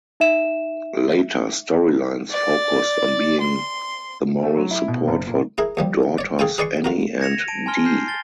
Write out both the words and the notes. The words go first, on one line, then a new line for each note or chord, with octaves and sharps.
Later storylines focused on being the moral support for daughters Annie and Dee.
D#4 E5 E7
D5
C6
A3
F#3
E4
B2
F#1
A#2
E4 G#4 A#4
D#2 F3 G3
C#5 D5
G#4 A4 F5 G5 G#5
G#4 B4 D5 G#5 C6 C#6
F4 F#4 A#4
G#6 A#6 C#7 E7 F7
A#6
A5 D7 D#7
G#5 A5 C6 F6 G7
F6 G6 C7
A6 G7